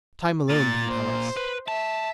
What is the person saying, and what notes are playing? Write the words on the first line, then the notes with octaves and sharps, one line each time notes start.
Time alone can tell us.
A#2 A6
C5
B4
E5 A5